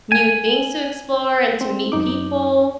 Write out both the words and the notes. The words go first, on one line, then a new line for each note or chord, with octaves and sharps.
new things to explore, and to meet people,
G#5
C4
F#2 D#4 D6